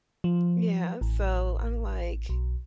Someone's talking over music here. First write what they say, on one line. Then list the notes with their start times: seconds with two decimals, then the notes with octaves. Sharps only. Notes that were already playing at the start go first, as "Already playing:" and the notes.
yeah, so I'm like,
0.24 F3
1.01 A1
2.29 B1